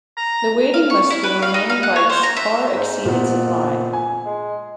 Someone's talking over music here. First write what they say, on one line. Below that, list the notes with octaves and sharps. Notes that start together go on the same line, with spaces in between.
The waiting list for the remaining bikes far exceeded supply.
A#5
F5
C#6
E4
B4
F5
D#4
F5
F#5
C#5
C5
A#5
E5
G#2
F2 A#2 B3
G#5
G#3